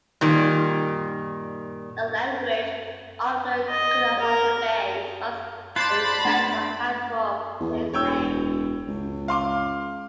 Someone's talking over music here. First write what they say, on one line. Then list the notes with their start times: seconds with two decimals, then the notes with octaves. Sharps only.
The language of the Guanahatabey is lost except for a handful of placenames.
0.21 A#2 D#3 G3
3.69 D#5
4.19 A#4
5.76 F4 C5 D5 A5 B5 F#6 A6
6.25 A3 D4
7.60 E2
7.94 E1 C#5 G5 E6
8.88 C#2
9.28 F5 C6 D6